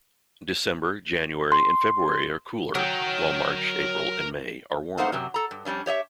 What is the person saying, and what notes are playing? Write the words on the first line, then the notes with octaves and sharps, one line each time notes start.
December, January and February are cooler, while March, April and May are warmer.
C6
F#3 A#4 G5
A3 A#3 D#4 C5 F#5
F#2 C3 F#3
A4 A#5
G2
F2 G3 C#4 D4
G4 C#5 D#5 E5